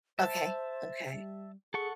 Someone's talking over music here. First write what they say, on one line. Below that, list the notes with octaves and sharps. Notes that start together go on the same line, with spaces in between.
Okay, okay.
C5 E5 A5
G3
G#4 A4 F#5 C#6